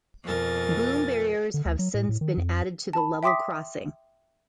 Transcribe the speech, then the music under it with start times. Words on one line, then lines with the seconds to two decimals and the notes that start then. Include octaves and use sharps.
Boom barriers have since been added to the level crossing.
0.24 F2 B2 A#4 G#5 A6
1.54 D3
1.66 D2
1.79 F#3
1.94 A2
2.09 A2
2.21 D#3
2.37 F2
2.93 A5 B5
3.23 E5 G5 C6 D6 D#6 B6